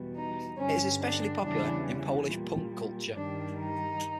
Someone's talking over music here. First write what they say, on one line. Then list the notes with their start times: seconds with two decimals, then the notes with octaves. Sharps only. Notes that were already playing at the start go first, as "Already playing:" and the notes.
It is especially popular in Polish punk culture.
Already playing: E2 B2 G3
0.15 D#4
0.58 G2 D3 G3 C#4
1.01 D4
1.43 E2 C#3 E3 G3 D4
2.29 A#2 G3
3.14 G2 D#3 G3 D4
3.58 D#4